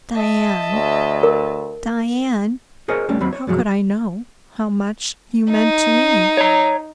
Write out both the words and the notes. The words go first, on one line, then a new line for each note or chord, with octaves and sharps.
Diane, Diane, how could I know how much you meant to me?
D#5 E5 A5
D2
A#4
G#4 A#4 C5 C#5 D#5 G#5
G3 A3 C#4
D#2 F#3 C4 B5
C#5
F#2 B2 F3 F#3 G#3
D#4
C#5 A#5